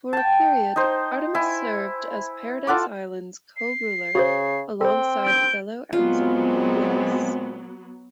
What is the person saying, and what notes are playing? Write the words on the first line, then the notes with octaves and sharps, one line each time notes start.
For a period Artemis served as Paradise Island's co-ruler alongside fellow Amazon Philippus.
G5 A5
D#4 C5
E4 G#5
F4 A4 F#5 D6
C7
C#3 F#4 G#4 C5
C4 A4 C5 G5
G6 D7
A#2 F#3 G#3 B3 C4 F4